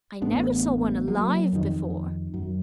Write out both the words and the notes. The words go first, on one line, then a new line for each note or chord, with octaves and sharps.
I never saw one alive before!'
A1 B3 D4
F#3 A#3
F2 D#3
F#2